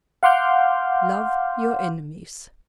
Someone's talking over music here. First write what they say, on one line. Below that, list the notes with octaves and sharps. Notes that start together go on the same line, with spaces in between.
Love Your Enemies.
F5 F#5 C6 D6 F6 G6